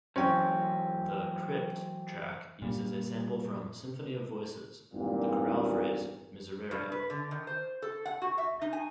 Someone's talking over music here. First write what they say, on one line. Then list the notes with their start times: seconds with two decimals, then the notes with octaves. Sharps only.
The "Crypt" track uses a sample from "Symphony of Voices"; the choral phrase "Miserere".
0.16 G#2 E3 F#3 C#4 C5 G5
2.62 A#2 G3
4.94 G#1 E2 G2 A#2
6.71 G2
6.92 B4
7.10 D3
7.31 D#3
7.47 C5
7.82 A4
8.06 F#5
8.22 F#4
8.38 E5
8.62 D#4
8.73 G#5